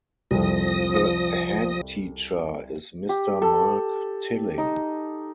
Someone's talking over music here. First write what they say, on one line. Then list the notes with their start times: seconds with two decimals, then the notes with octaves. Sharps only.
The headteacher is Mr Mark Tilling.
0.31 C2 F2 F3 D#6 A#6
3.09 G4
3.42 A4
4.58 D#4